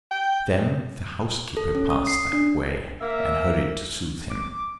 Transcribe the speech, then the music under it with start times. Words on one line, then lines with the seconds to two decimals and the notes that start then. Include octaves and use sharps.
Then the housekeeper passed that way, and hurried to soothe him.
0.11 G5
1.57 A4
1.75 C#4
1.90 D#6
2.07 C7
2.33 D4
3.01 A#3 E5
4.30 D6